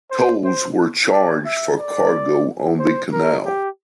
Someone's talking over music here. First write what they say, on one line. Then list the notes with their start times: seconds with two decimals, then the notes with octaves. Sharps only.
Tolls were charged for cargo on the canal.
0.11 C5
0.44 C5
1.12 D5
1.45 E5
1.78 D5
2.79 C5
3.12 A#4
3.46 G4